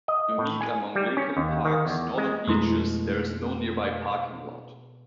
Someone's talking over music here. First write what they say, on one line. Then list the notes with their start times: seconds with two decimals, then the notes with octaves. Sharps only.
Unique among Lincoln Park's northern beaches there is no nearby parking lot.
0.08 D#5
0.38 A2
0.61 G#5
0.95 G3
1.17 C#4
1.37 D#2
1.65 D#3
1.87 E2
2.18 G#3
2.48 F2 B2 G#3 A3 E4 C6 D#6